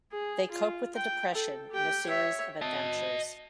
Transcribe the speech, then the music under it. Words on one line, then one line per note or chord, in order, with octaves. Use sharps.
They cope with the Depression in a series of adventures.
G#4
F4
G5
A4
G4 G5
C#5 E5
D#5 A5